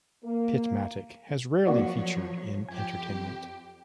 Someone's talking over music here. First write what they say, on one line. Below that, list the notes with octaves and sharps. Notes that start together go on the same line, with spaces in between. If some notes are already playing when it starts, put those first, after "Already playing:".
Pitmatic has rarely featured in entertainment.
A#3
F3 F#3 A#3 F#4 C#5 D5
F2 G4 G#5